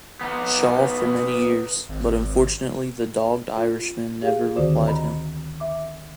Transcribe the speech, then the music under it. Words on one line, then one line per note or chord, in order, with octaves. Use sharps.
Shaw for many years, but unfortunately the dogged Irishman never replied him.
B3 D#4
G#1
F4
G4 G#4 F5
D2 D3 D#3 F#4 C5 D5
D#5 A#5 B5
E5 D6